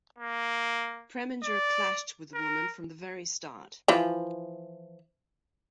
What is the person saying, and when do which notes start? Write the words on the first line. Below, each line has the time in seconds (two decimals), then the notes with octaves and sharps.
Preminger clashed with the woman from the very start.
0.18 A#3
1.43 D5
2.34 A#4
3.88 E3 F3